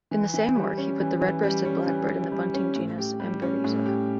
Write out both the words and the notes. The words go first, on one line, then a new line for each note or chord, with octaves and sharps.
In the same work, he put the red-breasted blackbird in the bunting genus "Emberiza".
E3
E3
G3
C#4
E3
E3
G3
C#4
E3
E3
G3
C#4
A2
G4
G3
C#4
A2
G4